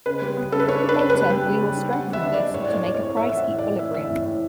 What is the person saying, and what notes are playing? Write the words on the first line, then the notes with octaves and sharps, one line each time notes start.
Later we will strengthen this to make a price equilibrium.
C#3 B4
G3
B3
C#3 A4
B4
D4 C#5
D4
B4
C#3
G3 B4
G3 G5
C#3
G3
D4
G3 F#5
G3 E5
D4
D5
G3
A2 C#5
D5
A3 C#5
A2 D5
C#5
A2
A3 E5
E3 E5
F#5
A2
E3 D5
A3 E5
E3 E5
A2
A2